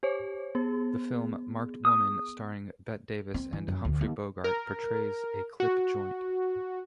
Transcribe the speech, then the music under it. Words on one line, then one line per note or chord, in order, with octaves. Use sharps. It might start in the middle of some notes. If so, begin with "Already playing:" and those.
The film "Marked Woman", starring Bette Davis and Humphrey Bogart, portrays a clip joint.
G4 C5 C#5
B3 G#4
D#6
C4
E3
F#2
D2
D#2
A#4
F#4